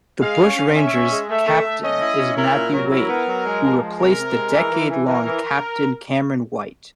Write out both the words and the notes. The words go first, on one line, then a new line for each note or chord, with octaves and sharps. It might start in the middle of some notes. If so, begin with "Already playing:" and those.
The Bushrangers' captain is Matthew Wade, who replaced the decade-long captain Cameron White.
G#3 F5
C#4
C#4
C#4 E5
C#4
G#3
A3 E5
A3
A3
C#4 D#5
E4
C#4
E4 A#4
A#2
F#3
E4 A#4
B3
F#3
G#3
F3
G#3
C3 A#4
C3
G#3
E3
E3
E3
E3 A#4
E3